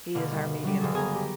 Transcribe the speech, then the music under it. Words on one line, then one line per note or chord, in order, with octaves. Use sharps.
'He is our medium.
B2 D3 A#3
G1
F#3 G3
F#1 C#3 G#4 A4
B3 G#4 G#5 A#5
G4